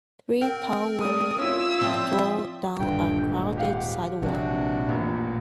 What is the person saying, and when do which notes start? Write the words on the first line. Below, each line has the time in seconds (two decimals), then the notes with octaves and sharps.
Three tall women stroll down a crowded sidewalk.
0.41 C4 A#4 G5
1.01 A3 D5 D#6
1.39 C#4 E4 F4 E6
1.81 F3 C4 D5 E5 C6 D#6
2.79 D#1 G2 D3 G5
3.24 G#2
3.57 G4 F5 F#5
4.22 A#1 C3 E3 C4 D4 F#4
4.89 A1 A#2